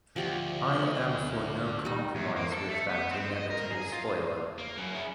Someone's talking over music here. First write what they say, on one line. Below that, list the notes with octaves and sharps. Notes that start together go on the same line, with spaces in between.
I am for no compromise with that inevitable spoiler.
D2 F3 G4
G3 D#4
E2
A#3
A4
A3
B3
C4
D#5
A#4
G#4
F4
A#3
F#2 C#4 E4
G#4 E5